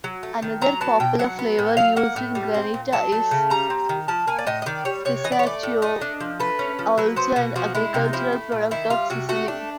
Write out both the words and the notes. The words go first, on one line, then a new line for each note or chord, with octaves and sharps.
Another popular flavor used in granita is pistachio, also an agricultural product of Sicily.
F#3
A3
D#3
F#3 A#5
B3 A5
B2 G5
F#3 F#5
B3
A2
F#3 F5
A#3 F#5
A2
G3
C4
A#2
F#3 A5
A3
C#3
G3 A#5
C4
D#3
F3 A5
A#3 G#5
D5
A2 D#5
D#5
D#3 D5
G3 C#5
C3 C#5
E3 D#5
D5
C#5
A3 D5
A2
A3 D#5
D4
F3
A3 B4
C#4
F3
F#3 B4
B3 C5
B2 F#4
F3 F#4
G#3 E4
C3 D#4
F3 E4
A3
A#2
D#3 E4
G3 F4
C3 F#4
A3 F#4
D4